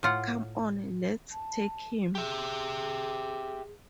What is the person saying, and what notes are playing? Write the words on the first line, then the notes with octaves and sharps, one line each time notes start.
Come on let's take him!
A2 F4 F#5
A5
G4 G#4 E5